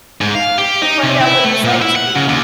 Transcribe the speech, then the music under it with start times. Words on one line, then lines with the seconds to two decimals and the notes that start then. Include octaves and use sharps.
to find out what it was like to be
0.21 G#2
0.35 F5
0.58 G4
0.82 D#4
1.03 C3
1.21 E4
1.44 A3
1.64 A#2
1.82 E4
1.96 F#5
2.16 C#3
2.29 D#2